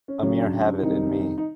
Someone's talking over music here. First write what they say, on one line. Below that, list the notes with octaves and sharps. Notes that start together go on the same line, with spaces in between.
A mere habit in me.
C#4
C#3 F#3 C#4
D4
E4
C3 D#3 G3 D#4
D#4